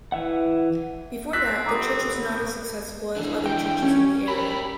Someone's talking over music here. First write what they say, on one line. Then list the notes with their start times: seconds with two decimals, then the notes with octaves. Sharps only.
Before that, the church was not as accessible as other churches in the area.
0.12 E3 E5 F#5
1.33 C4 E6 F#6 B6
1.66 G1 B3 A#5 D6 D#6
3.16 E3 D4
3.46 G5
3.83 C#4
4.28 G4 A#4 B5